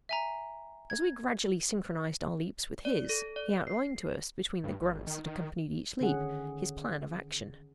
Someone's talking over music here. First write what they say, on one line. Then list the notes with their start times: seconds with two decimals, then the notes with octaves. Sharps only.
As we gradually synchronized our leaps with his, he outlined to us, between the grunts that accompanied each leap, his plan of action.
0.09 E5 G#5 A#5
0.90 G#6
2.85 D5
3.09 A4
3.36 D5
3.67 C7
4.63 G2
4.80 G#1
5.07 D#3
5.26 D#3
6.01 D3 D#3 C#4 G#4 F#5